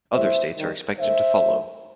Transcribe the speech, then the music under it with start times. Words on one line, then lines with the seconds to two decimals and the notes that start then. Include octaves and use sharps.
Other states are expected to follow.
0.13 A2 E3 G3 C5 E5
0.56 D#3 G3
0.99 D#3 A3 C5 E5
1.42 D#3 F#3 A3